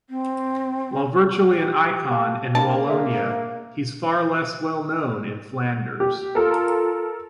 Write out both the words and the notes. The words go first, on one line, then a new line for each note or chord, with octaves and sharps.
While virtually an icon in Wallonia he's far less well known in Flanders.
C4
G4
F5 A5
A#3 D4 A5 B5
D4 G#4 E5
G4
F4 A4 A#4